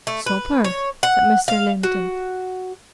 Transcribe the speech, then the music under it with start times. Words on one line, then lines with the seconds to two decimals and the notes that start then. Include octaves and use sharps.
"Supper?" said Mr. Linton.
0.07 A3
0.26 B4
0.64 C#5
1.03 F#5
1.48 F5
1.83 F#4